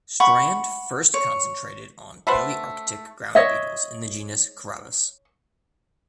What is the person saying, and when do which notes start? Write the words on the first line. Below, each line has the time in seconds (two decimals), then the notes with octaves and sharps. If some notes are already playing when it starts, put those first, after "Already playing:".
Strand first concentrated on Palearctic ground beetles in the genus "Carabus".
0.20 F#5 B5 C#6
1.14 C#5
2.27 A3 B4 C5 F#5
3.35 C#5 D#5 E5